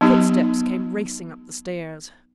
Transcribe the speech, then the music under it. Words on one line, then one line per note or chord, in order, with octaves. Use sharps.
Footsteps came racing up the stairs.
F#3 B3 D#4 G4